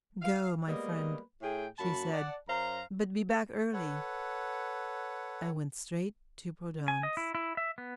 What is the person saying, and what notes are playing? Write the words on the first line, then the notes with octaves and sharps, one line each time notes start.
"Go, my friend," she said; "but be back early." I went straight to Prudence.
F5
G3 G#3 A#3 B3 B4 D#5
A2 A3 G#4 G5
F#2 A#3 F#4 A5 B5
D5 F#5 A5
F#2 C5 F5 A#5
A4 B4 C#5 F#5
G#5
D#5
E4
E4
E5
B3